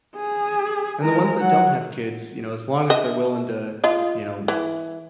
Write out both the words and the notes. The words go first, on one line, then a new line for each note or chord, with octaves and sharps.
And the ones that don't have kids, you know, as long as they're willing to, you know,
G#4
G#3 A#4
F#3 F#5
D#5 E5
F4 D#5
E3